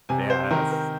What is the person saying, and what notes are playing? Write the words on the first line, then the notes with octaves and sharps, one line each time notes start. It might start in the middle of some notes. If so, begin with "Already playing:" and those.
Yeah, it's
C3 G#5
C5
D#3 A#4
A#4